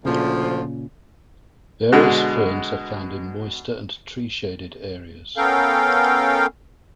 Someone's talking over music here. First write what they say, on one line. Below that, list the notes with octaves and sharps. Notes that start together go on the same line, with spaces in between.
Various ferns are found in moister and tree-shaded areas.
D2 A#2 C#3 F3
B2 D3 G#3
B3 C#4 A4 A#4 F5 G5